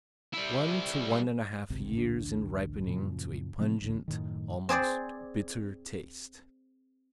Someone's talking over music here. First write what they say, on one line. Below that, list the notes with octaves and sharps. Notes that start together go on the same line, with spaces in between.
One to one-and-a-half years in ripening to a pungent, almost bitter taste.
G3 E4
G#1 C#2 C3
A1 D2 D4
F#2 A#2 C#3 F3
C3 F3 A#3 C4
A1 D2
F#2 A2 D#3
C4 G#4 C5 D5